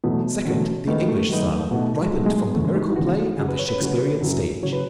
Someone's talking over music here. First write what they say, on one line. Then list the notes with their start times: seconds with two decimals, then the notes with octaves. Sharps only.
Second, the English style, ripened from the miracle play and the Shakespearian stage.
0.04 E2 B2 F#3 A3 B3
0.45 E2 B2 F#3 A3 C#4
0.87 D#3 G#3 A3 B3 D#4
1.08 A3
1.29 D#3 F#3 G#3 B3 D#4
1.71 B2 A3 D#4 F#4
2.02 G#3
2.12 B2 F#3 A3 D#4 F#4
2.26 G#3
2.48 B3
2.54 E2 C#3 E3 A3
2.65 G#3
2.75 D#4
2.85 E4
2.96 E2 C#3 E3 F#4
3.37 C#3 F#3 C#4 F#4 G#4
3.49 B4
3.59 C#5
3.69 B4
3.80 C#3 F#3 C#4 F#4
4.21 F#2 C#3 F#3
4.63 C#3 F#3 C#5
4.73 B4